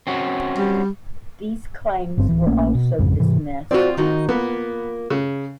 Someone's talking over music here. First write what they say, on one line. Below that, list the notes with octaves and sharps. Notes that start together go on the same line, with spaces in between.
These claims were also dismissed.
C4 C#4 F#4
G3
G1 G2 C4
D1 E3
A#1 A3 A#3 C#4
B2
A1 F2 G#2 C#3
G#2 C3 E3
C4 F4 F#4 C5 D5
D#3 D#4 F#4
A#3 B3 F4
C#3